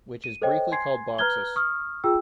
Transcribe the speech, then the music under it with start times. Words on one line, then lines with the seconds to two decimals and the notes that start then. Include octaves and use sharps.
Which is briefly called Bachsas.
0.24 D#7
0.42 A4 C5 C#5 D#5 G5
0.72 G#5 C6 G#6 C7
1.18 B4 A#5 F6 F#6 G#6 G7
1.56 C#6 D#6 F6
2.04 F4 G#4 G5 E6